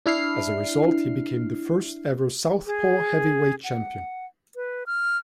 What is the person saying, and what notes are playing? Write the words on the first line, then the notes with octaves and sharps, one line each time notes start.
As a result, he became the first-ever southpaw heavyweight champion.
D4 E4 F6 C7
G#4
F#5
B4
F6